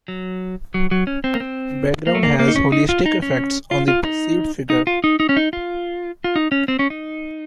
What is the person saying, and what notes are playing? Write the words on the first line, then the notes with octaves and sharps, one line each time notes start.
Background has holistic effects on the perceived figure.
F#3
F#3
F#3
C#4
C4
A#3
C4
A#3
A3
A#3
A#3
D#4
C#4
D#4
F4
D#4
C#4
F4
F4
D#4
D#4
F4
D#4
D#4
C#4
D#4
F4
F4
D#4
C#4
C4
C#4
D#4